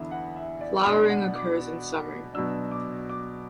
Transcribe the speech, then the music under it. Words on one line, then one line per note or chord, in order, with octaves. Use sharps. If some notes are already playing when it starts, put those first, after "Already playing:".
Flowering occurs in summer.
Already playing: E2 D3 B3 E4 E5
F#5
E5
D5
B2 B3 D4 D5
F#5
D6
B2 F#3 D4 E6
D6
D6